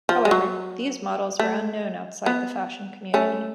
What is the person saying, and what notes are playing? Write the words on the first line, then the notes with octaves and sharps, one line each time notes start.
However, these models were unknown outside the fashion community.
F3
G#3
F#3
A3
B3
A3 C#4